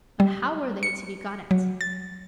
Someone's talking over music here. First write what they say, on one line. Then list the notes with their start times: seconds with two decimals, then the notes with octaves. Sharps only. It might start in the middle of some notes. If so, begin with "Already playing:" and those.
But how were they to be got at?
0.20 G3
0.83 C#7
1.51 F#3
1.81 A6